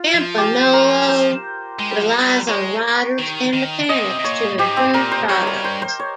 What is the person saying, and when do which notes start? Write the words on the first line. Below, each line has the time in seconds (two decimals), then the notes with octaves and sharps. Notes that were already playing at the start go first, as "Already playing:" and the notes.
Campagnolo relies on riders and mechanics to improve products.
Already playing: F4
0.14 F3
0.38 G4
0.73 A#4
1.08 C5
1.79 G#3
1.91 G3
2.02 F3
2.13 G3
2.48 G#3 C#5
3.18 D#3
3.54 D#3
3.89 C3 D#5
4.19 C3
4.24 A#2 C#5
4.59 G#2 G4
4.77 C4
4.94 A#2 A#4
5.12 C5
5.29 G2 C#5
5.47 A#4
5.64 C5
5.82 C5
6.00 C#5